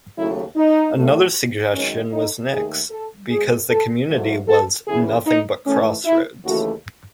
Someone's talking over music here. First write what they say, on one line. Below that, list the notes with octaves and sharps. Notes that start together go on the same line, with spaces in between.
Another suggestion was "nix" because the community was "nothing but a crossroads".
D#2 C#3 F#3 A3 E4
D#4
A2 F#3 A3
F#2 D#3 G#3 C#4
D#4
D#2 D#3 A3 G#4
A4
B2 G#3 G#4
A4
G#2 F#3 A3
A4
E2 C#3 E3 G#4
D#4
G#2 E3 A3 C#4
E4
D#2 C#3 E3 A3 F#4